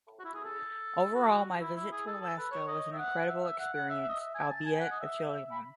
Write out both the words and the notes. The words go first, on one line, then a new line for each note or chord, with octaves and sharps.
Overall, my visit to Alaska was an incredible experience, albeit a chilly one.
F#4
E4
G#4
A4
F#4
E4
E4
G#4
A4
A4
B4
C#5
D#5
E5
F#5
E5
E5
F#5
F#5
E5
D#5
E5
G#5
A5
G#5
F#5
D#5
E5
B5